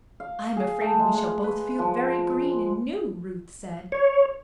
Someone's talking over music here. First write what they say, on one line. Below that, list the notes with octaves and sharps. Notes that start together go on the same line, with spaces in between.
"I am afraid we shall both feel very green and new," Ruth said.
F5
G#4
A3
G#3
G#3
B4
F3
C#5